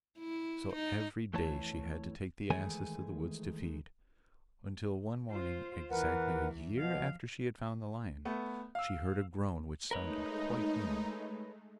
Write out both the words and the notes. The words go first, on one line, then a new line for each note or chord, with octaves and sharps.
So every day she had to take the asses to the woods to feed, until one morning, exactly a year after she had found the lion, she heard a groan which sounded quite human.
E4
D#4
F2 E3 A3 E4 C#5 A5
D#3 E3 G#3 A3 G#4 G#5
F4 C5
E2 E3 A#4 B4 F#5
B2 F3 F5
A3 B3
F5 E6
G#3 A3 D#4 A#4 B4 C#5